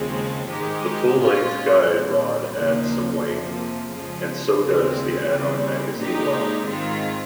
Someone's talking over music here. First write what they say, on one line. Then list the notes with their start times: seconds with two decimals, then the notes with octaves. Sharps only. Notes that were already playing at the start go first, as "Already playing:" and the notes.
The full-length guide rod adds some weight, and so does the add-on magazine well.
Already playing: D#2 C#3 F3 G#3 C4
0.49 G#2 D#3 G#3 D#4 G4
1.18 A#2 G#3 C#4 F4
1.87 A#2 G3 C4
2.55 D#2 C#3 F3 A#3 D#4
3.23 F2 C3 F3 A#3
3.92 F2 C#3 F3 G#3
4.60 D#2 C#3 G#3 C4
5.29 C#3 G3 C4
5.97 A#2 G#3 D#4 G4
6.67 G#2 D#3 G#3 C4 F4